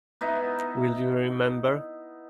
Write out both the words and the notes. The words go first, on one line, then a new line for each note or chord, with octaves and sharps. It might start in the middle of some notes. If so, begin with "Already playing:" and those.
Will You Remember?
B3 D#4 E4